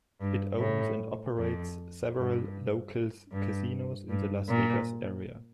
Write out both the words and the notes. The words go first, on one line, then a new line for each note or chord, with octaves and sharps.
It owns and operates several locals casinos in the Las Vegas area.
G2
A2
F2
G2
G2
G2
A#2